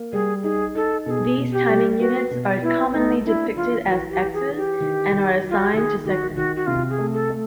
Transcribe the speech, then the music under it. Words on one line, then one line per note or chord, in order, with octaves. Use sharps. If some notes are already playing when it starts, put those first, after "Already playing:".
These timing units are commonly depicted as X's, and are assigned to segments.
Already playing: A#3
G3 G#4
D#4 G#4
D#4 A4
B2 G#4 A4
B2
G4
G3
B3 F#4
B2
B3 E4
A3 D#4
D4 E4
E3 F4
E3 F#4
G4
E3
G#4
E3
G4
D#3
D#3
F#3
F4
F#4
G4
D#3 G#4 A4
D#3 F#4 G4
D#3 F#4
F#4
C3 F4
G#4
A3
A4
A3